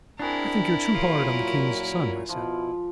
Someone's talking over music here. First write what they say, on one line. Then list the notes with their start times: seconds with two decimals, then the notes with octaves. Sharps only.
"I think you're too hard on the king's son," I said.
0.19 C4 D4 E4 F#4 G#4 A#4
0.95 A#2 F#3 F4 C#5
2.29 B2 F3 E4